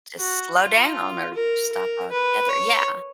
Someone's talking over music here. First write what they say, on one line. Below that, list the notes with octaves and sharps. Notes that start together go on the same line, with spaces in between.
Just slow down or stop altogether. Yeah.
F#4
F4
A#4
A#4
B4
C#5